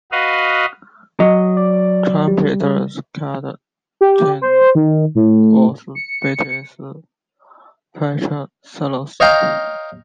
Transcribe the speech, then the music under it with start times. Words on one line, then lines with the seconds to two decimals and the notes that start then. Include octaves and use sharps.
Trumpeter Scott Steen was Bette's featured soloist.
0.12 F#4 B4 D#5 F5
1.20 F#3 D#5
1.57 D5
2.28 G3
4.01 G4
4.42 C5
4.75 D#3
5.15 A2
5.95 C#7
9.20 C#5 D#5 F5 G5 A#5